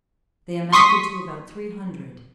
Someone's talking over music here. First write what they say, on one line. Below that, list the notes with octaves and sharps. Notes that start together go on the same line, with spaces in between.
They amounted to about three hundred.
C6 C#6 D#6 B6